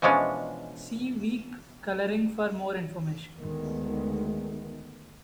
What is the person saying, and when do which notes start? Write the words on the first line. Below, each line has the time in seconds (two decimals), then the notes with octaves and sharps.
See weak coloring for more information.
0.02 B2 E3 F3 G#3 C#4 D4
3.40 D2 D#3 G#3 A3 B3